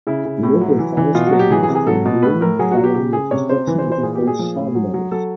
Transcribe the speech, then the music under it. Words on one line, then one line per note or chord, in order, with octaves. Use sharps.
The local forestry industry boomed following the construction of the first sawmills.
C#3 E4
C#3
A2
F#3
E3
E3
B2 F4
F#4
F#3
G4
E3 G#4
G#4
C3
G#4
F#3 A4
B2
A2 B4
A2 A#4
F#3 G#4
F#4
F#3
G4
C#3 G4
C#3 G#4
C3 C#5
C3 C5
E3 B4
C5
E3
C5
A#2 G#4
G4
A#2
G#4
F3
A2
F#3
F#3
F#3 A4